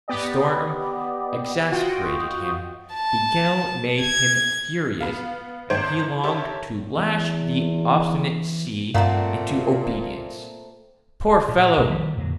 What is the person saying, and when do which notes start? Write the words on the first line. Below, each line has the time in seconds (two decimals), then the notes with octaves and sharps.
The storm exasperated him, the gale made him furious, and he longed to lash the obstinate sea into obedience. Poor fellow!
0.08 B3 G4 D5 D#5
1.72 F4 F#4 D#5 G5
2.94 A5
4.01 G#6
5.00 B3 F5
5.70 G#1 D#3 A3 C5 G#6 D7
6.23 G4 A4 A#4 C#5 E5 A5
6.97 E2 E3
8.94 G2 A#2 A3 C4 F5 F#5 A#5
11.48 A#2
11.77 B1 D3 A#3
11.90 D#3 F3 G3
12.16 F2 A#2 D3 F#3